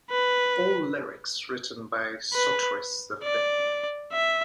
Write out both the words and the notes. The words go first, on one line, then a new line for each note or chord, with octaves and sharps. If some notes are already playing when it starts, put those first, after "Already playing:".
All lyrics written by Sotiris the Fifth.
B4
B4
D5
E5